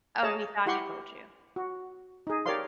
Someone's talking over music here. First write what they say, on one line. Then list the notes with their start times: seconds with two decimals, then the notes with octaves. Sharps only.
Oh, he thought he told you.
0.23 G#4 C#5 D#5 A5 A#5
0.66 E4 G4 F#5 C6 C#6
1.56 F#4
2.27 D#4 G#4
2.46 G4 A#4 C#5 D5 F5 C6